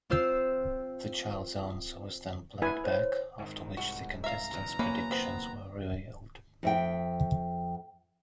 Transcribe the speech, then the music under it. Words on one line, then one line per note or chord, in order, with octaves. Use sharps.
The child's answer was then played back, after which the contestants' predictions were revealed.
C4 F4 C5 E6 C7
E4 B4 G#5
C5 C#5
G#2 D#3
C2 G#2 F#4
E5 F5 A#5
F#1 B1 E2
A#3 C#4 B4
B3 C4
F2 E5 G5